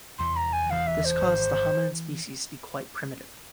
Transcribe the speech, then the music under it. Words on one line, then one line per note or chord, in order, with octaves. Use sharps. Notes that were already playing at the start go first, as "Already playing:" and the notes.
This caused the hominin species to be quite primitive.
F1 E2 E3 C6
A#5
G#5
F1 E2 E3 F5
E5
C5
G#1 G#2 E3
E3